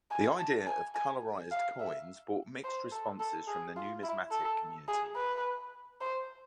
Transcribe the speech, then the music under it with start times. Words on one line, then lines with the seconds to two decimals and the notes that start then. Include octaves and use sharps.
The idea of colorized coins brought mixed responses from the numismatic community.
0.11 G#5
0.39 A5
0.67 G#5
0.95 G#5
1.51 F5
1.80 E5
2.64 C5
2.92 A4
3.20 A4
3.48 G#4
3.76 F4
4.03 E4
4.32 A4
4.88 G#4
5.16 B4
6.01 C5